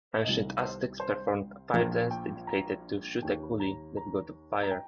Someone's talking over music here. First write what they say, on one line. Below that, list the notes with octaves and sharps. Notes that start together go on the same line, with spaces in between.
Ancient Aztecs performed a fire dance dedicated to Xiuhtecuhtli, the god of fire.
C2 C3 D#3 D#5
C5
C5
A#1 A#2 F3 A#4
G5
A#5
D#2 D#3 G5
A#5
A#5
A#5
G5